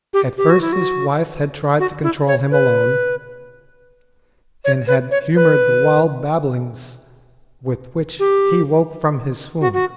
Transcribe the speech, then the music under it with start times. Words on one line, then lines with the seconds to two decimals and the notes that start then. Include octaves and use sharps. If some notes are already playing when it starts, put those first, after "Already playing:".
At first his wife had tried to control him alone, and had humoured the wild babblings with which he woke from his swoon.
0.13 G4
0.38 G4
0.50 F#4
0.61 E4
0.72 F#4
1.79 F#4
2.03 E4
2.27 C#5
2.51 B4
4.64 C#5
4.87 B4
5.11 C#5
5.35 B4
8.19 G4
9.61 F#4
9.73 F#4